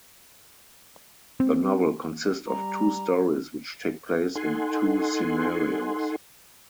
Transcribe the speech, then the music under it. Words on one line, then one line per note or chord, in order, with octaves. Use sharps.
The novel consist of two stories which take place in two scenarios.
C4
G3 A#5
D#4 A4 F#5 G#5 C6